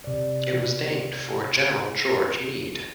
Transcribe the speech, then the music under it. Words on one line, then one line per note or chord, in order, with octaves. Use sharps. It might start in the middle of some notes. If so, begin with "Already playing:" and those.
It was named for General George Meade.
C3 D5